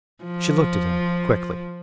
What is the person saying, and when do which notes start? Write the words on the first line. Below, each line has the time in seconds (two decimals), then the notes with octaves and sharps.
She looked at him quickly.
0.24 F3